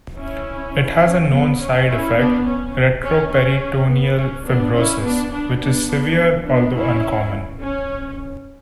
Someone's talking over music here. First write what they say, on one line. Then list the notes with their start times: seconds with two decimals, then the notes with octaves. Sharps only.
It has a known side effect, retroperitoneal fibrosis, which is severe, although uncommon.
0.16 C#4 E4
1.02 C#4
1.31 B3
1.59 C#4
1.88 C#4 E4
2.17 B3 D4
2.45 C#4
3.03 C#4
3.31 C#4
3.88 B3
4.17 C#4
4.45 B3 D4
4.74 C#4 E4
5.03 B3 D4
5.32 B3 D4
5.60 B3 D4
5.88 B3 D4
6.46 B3 D4
6.75 C#4 E4
7.60 C#4